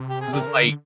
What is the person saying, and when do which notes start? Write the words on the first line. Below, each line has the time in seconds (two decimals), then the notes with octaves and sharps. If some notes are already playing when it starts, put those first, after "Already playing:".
'cause it's like
Already playing: C3
0.10 G4
0.21 G#4
0.33 D3 D4 G4 A#4
0.40 C3
0.47 D3